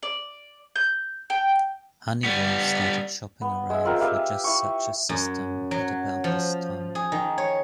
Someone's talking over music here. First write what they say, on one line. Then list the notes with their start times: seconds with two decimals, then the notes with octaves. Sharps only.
Honeywell started shopping around for just such a system at about this time.
0.03 D5
0.76 G6
1.30 G5
2.24 G3 B3
3.42 B3
3.70 G#3 E5
3.85 G#3 C4 F4 A#4
4.01 G4 B4 E5 F5
4.44 E4 C#6
5.09 F#2
5.71 F#3
6.24 F3
6.95 G#4
7.12 D#3
7.38 C#5